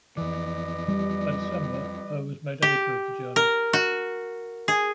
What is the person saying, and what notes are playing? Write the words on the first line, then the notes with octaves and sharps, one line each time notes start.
By December, Poe was made editor of the journal.
F2 E3 B4 D5 D#5
G3
G4
A#4
F#4
G#4